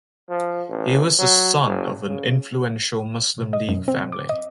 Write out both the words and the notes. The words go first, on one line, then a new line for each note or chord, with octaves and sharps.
He was the son of an influential Muslim League family.
F3
A1
F#3
F#1
C#3
D#5
F#2
C4
D6
D#5